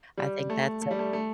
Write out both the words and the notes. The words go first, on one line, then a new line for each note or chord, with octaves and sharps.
I think that's a
G3
A3
A3
G3
A3
A3